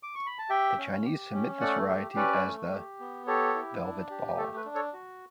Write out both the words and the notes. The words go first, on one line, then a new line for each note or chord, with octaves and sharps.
The Chinese submit this variety as the "Velvet ball".
D6
C#6
B5
A5
G4 E5 G5
C#4
G4
C#4
A3 D5 F#5
G4
C#4 B4 D5
A3
G4
B3
G4 A4 C#5
E4
D4
G4
A3 A4
B4
D4
A4 C#5
F#4